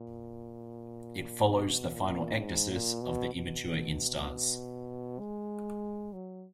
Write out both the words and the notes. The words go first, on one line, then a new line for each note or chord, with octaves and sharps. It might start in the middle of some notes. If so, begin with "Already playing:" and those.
It follows the final ecdysis of the immature instars.
Already playing: A#2
B2
A#2
G#2
A#2
B2
B2
G#3
F#3